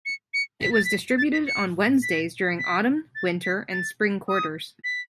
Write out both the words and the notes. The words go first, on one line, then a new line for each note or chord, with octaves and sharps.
It was distributed on Wednesdays during autumn, winter, and spring quarters.
C#7
C#7
B6
A6
B6
A6
B6
C#7
B6
B6
A6
B6
A6
D#6
B6